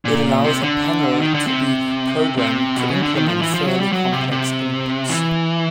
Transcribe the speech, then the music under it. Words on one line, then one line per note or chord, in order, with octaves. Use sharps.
It allows a panel to be programmed to implement fairly complex inputs.
A#2
C3
D3
D#3
D3
C3
C3
B2
C#3
D3
D#3
F3
E3
F3
F#3
G3
F#3
C3
C3
E3